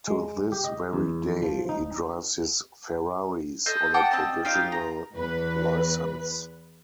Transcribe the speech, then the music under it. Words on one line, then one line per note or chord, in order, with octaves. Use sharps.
To this very day, he drives his Ferraris on a provisional license.
G#3
G4
D#5
E2
F3
D#4
A4 C5 D#5
F#5 G5 A5 D6
C4 D#5 A5
D#4 F4 G4 F5
A#5
E2 B4